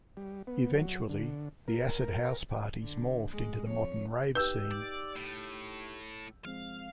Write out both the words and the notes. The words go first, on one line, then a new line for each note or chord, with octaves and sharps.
Eventually the acid house parties morphed into the modern rave scene.
G3
B3
F#3
D3
A#4
D3
G#3
F2 C#5
D#4 G4 B4 E6 G6
D5
A2
F3 G#3 C4 F5